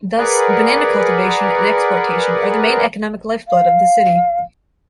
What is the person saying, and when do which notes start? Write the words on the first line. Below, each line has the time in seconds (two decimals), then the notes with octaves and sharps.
Thus, banana cultivation and exportation are the main economic lifeblood of the city.
0.18 G#4 A#4 B4 D5 F#5
3.48 F5